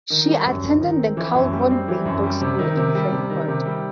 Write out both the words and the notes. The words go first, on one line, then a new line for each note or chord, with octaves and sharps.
She attended the Carl von Weinberg School in Frankfurt.
D#3
G3
F#2
G1
D#3
C4
E3
F#2
G3
C4
E3
F#2
G3
C3
D#3
C3
G3
C3
D#3
C3
G3